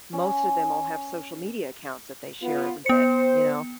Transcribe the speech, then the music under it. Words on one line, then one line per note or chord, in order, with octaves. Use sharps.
most of them all have social media accounts that they share every day, you know?
C#4
B3 F4
B3 C5 C#7